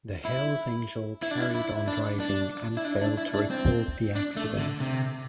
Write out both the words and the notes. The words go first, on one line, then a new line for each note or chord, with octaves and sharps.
The Hell's Angel carried on driving and failed to report the accident.
E4
E4
D4
E4
E4
D4
D4
E4
D4
D4
E4
D4
C4
D4
A3
D3
C3